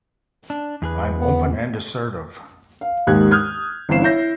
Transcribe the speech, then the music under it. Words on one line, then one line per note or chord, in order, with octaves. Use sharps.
I'm open and assertive.
D4
E2 G#4 B4
B3
F5
D#2 G#2 D#4 G4 F#6 G#6
D#6 F6 G6 G#6
G1 E3 C4 F5 C7 E7
E4 C#5 E5 G6 A#6